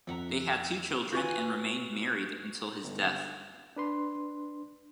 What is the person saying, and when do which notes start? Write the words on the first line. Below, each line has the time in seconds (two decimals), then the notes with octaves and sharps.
They had two children and remained married until his death.
0.07 F2 E5 F#5 A#5
1.12 F4 F#4 B4 D5 G#5 C#6
2.83 G1
3.76 D4 B4 C6